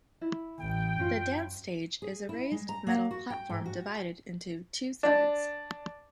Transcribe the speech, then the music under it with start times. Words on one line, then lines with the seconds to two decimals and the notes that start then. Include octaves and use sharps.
The dance stage is a raised metal platform divided into two sides.
0.21 E4
0.60 A1 G5
0.99 F#2 C#4 F4 F5
2.02 G#4
2.29 E4
2.51 G#3
2.69 A#5
2.87 A#3
3.11 F#4
3.30 G5
3.49 G#2
3.66 F#4
5.03 D4